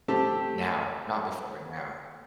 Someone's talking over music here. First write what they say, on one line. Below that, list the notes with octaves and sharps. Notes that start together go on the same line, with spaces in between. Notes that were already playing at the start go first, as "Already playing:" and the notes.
Now. Not before, but now.
A3 C4 G4 A5